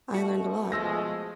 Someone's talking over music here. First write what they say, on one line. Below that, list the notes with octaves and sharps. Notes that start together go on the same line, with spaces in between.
I learned a lot.
B2 A3 F#4
F3 G#3 E6 A#6